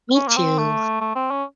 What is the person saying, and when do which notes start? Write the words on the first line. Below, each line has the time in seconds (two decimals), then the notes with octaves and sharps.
Me too.
0.15 C#4
0.27 A#3
0.36 C4
0.58 A3
1.01 A3
1.15 C4
1.30 C#4